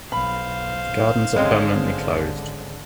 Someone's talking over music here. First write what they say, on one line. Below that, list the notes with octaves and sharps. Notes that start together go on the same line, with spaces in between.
The Gardens are permanently closed.
B1 C5 F5 B5
G#1 D3 G#3 C4 C#4 C#5